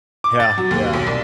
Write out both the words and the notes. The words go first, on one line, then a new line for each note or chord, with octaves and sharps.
Yeah, yeah.
D6
A6
F#3
D#2
B1
C2